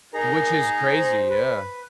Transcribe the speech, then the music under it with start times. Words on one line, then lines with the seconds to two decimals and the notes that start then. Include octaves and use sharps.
Which is crazy. Yeah.
0.14 D#4 G#4 A#4 A#5
0.89 C5
1.30 B4